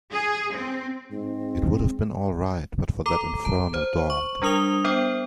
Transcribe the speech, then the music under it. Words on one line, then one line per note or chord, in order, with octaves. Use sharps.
It would have been all right but for that infernal dog.
G#4
C4
G#2 C4
A4 A#5 D6
A5
C5
C#6
G3 D4 A#4 D#6 F7 G7
B3 C5 G5